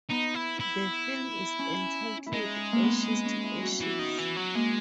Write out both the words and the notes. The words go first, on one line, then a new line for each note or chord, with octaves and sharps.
The film is entitled Ashes to Ashes.
B3 D#4
E4
E4
C#4
E4
G#3 D#4
A#3
B3
B3
C#4
E4
F#4
E3
D#3
E3
F#3
G#3 A#3